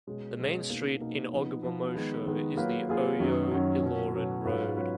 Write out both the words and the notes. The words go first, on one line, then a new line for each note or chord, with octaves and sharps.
The main street in Ogbomosho is the Oyo-Ilorin road.
B2 G#3 C#4
B2 G#3 C#4
B2 A#3 D#4
B2 A#3 D#4
F3 B3 D#4
F3 B3 D#4
D#3 G#3 B3
D#3 G#3 B3
F#3 A#3 F4 G#4 B4
F#3 A#3 F4 G#4 B4
F#2 D#3 F#3 C#4
F#2 D#3 F#3 C#4
B2 F#3 C#4
B2 F#3 C#4
G#2 F#3 C#4 F4 B4
F#3 C#4 F4 B4